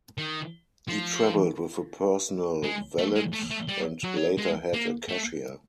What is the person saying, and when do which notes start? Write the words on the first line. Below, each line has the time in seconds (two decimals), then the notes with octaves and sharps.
He travelled with a personal valet and later had a cashier.
0.18 D#3
0.88 F3
2.63 G#3
2.98 A3
3.16 G#3
3.33 A3
3.51 A3
3.68 G3
4.04 F#3
4.38 G#3
4.73 A#3
5.09 A3